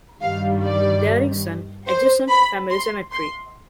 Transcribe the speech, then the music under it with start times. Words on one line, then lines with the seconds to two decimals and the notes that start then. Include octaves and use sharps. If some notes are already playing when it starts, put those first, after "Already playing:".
There is an adjacent family cemetery.
0.22 G2 D#3 G3 F5
0.63 D5
1.88 C5
2.29 B5
2.71 C6
3.12 C6